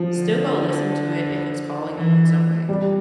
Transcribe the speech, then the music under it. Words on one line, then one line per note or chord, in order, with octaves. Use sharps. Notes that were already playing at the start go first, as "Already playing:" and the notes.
still go listen to it if it's calling you in some way.
Already playing: F3
D3
E3
G3